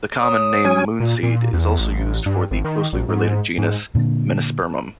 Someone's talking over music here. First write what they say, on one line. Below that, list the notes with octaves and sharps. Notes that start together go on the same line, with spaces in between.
The common name Moonseed is also used for the closely related genus "Menispermum".
C#5 D#6
F#3 C#4 G#5
A#2
A#2
E2
A1
G2
G#1
D#3
A#1
G#2
G#2
A#2 D3